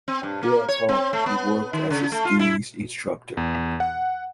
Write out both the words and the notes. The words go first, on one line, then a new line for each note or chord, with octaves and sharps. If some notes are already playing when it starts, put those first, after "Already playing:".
Thereupon, he worked as a ski instructor.
C4
G2
A#3
C#5
C4
A3
B3
D#3
C#3
A3
F4
E4
E2
F#5